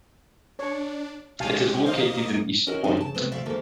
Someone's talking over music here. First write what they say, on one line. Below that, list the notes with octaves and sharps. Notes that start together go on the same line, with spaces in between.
It is located in Eastpoint.
D4 C#5
B1 G#3 C#4 G4 F5 G#5 A5
A#3 C5 D#5 F5
C#4 E4 F#4 A#4 D#5
F3 F#3 C4 C#4 D#4 A4
C#3 A5
B2 A3 B3 C4
D2 A3 D5 E5 F5
D2 G#2 A3 A#3 A4 E5